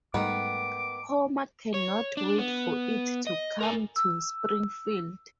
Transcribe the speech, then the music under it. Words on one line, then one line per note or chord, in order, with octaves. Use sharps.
Homer cannot wait for it to come to Springfield.
G#2 D#3 G3 A3 B3 D6
C#5
D4
B3
D#5
A#4 G#5
E6